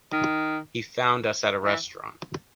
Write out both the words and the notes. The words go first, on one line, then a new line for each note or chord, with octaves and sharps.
He found us at a restaurant.
D#3
E3